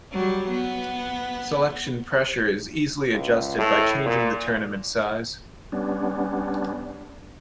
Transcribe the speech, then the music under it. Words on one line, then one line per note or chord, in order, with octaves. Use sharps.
Selection pressure is easily adjusted by changing the tournament size.
F#3 G3
B3
C#2
A2
A#2
G3 B3 C#4 D4